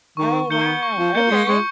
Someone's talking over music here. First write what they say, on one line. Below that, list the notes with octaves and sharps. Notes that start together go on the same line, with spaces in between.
Oh, wow, okay.
D#3 C#6
D#3 G6 C#7 G7
C#6
F3
A#3 G6 C#7 G7
G#3
G#3 C#6